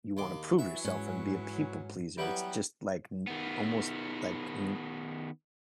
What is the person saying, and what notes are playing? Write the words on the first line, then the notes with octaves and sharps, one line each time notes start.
you wanna prove yourself and be a people pleaser. It's just like n almost like n
D#2 C6 D6
E3 F#3 E5
G#2 C#4
E3 F#3 G3 B3 G4
D#3 B3